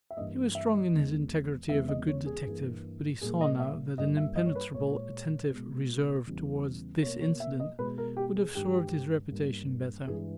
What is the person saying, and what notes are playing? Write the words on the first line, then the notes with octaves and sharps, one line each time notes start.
He was strong in his integrity of a good detective, but he saw now that an impenetrably attentive reserve towards this incident would have served his reputation better.
E5
G2 E3 G3 A#3 D#5
E5
D#5
E2 D#3 G#3
E2 C#3 G#3 E5
D#5
C#5
G#4
G2 E3 A#3
A#2 G3 A#3 G#4
D#5
E5
G2 G3 A#3 D#5
E5
D#5
C#5
B4
A#2 G#3 C#5
B2 G#3
E2 C#3 E3 G3
B2 A#3 C#5
C#5
E5
D#5
B2 G#3 B4
A#4
G4
G#4
G2 D#3 G#3 G4
G2 G3 A#3
G2 E3 G#3 G#4